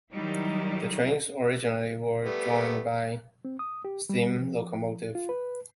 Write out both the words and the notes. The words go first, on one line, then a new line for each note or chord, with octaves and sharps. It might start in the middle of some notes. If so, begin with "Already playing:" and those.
The trains originally were drawn by steam locomotives.
D#3 F#3 G3 D#4 E4
G3 A3 B3
C4
D#6
G4
G3
F3
F4
B4